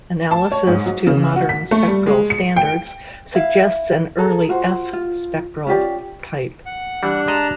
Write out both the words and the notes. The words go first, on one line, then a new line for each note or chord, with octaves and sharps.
Analysis to modern spectral standards suggests an early F spectral type.
A5
C#5
G#2
F#3
C#3
F#4
B6
A3
G3
G#3
C#7
G5
E4 F5
G#4 A4 A#5
F4 F#4 C5
F4
C#4 F4 G4 D5
F#5
E3 G3 D4 G4
G#3 D#5 F#5 A5 A#5